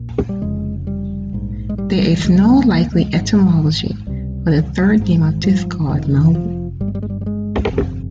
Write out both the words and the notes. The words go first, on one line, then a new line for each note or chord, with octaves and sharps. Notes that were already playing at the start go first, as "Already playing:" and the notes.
There is no likely etymology for the third name of this god, Maju.
Already playing: A#1 A#2
G3
F1 F2 C#3 G#3
G3
A#1 G#2
G#3
G3
G3
C#2 C3 G#3
G#3
C4
A#3
A#3
G#3
G#1 G#2
C#2 C3 G3
G#1 G#2
F3
F1 F2 C3 D#3
F3
G1 G2 G3
G#3
G3
G#3
G3
G3
G#3
G1 F2 C3